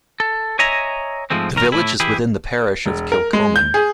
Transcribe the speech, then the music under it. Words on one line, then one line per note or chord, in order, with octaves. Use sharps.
The village is within the parish of Kilchoman.
A4
C#5 D#5 E5 G#5 A#5
G#2 F3 G#3 A3 C4
B1 D#3 A#4
A2 E4
E3 E4 G4 G#4
E1
A#4
G#3
G6
G#4